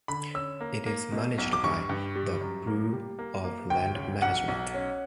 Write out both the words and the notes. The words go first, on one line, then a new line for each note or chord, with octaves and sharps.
It is managed by the Bureau of Land Management.
D3 B5
C#4 E6
A#3
A#3
B2
B1
D6
G2 C#6
G2
G3
F#2
A#3
G3
A#3
A#3
D2 G5
C#3
B1 F#5
B1
C#4